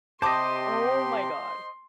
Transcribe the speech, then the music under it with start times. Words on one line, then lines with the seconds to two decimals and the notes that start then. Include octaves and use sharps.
Oh my god.
0.22 C3 G4 C5 D#5 A5 C6 D6